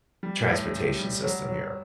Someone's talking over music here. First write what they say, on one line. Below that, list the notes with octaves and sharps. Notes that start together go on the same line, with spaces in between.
transportation system here.
G3
A2
G4
G3
F#3
F#3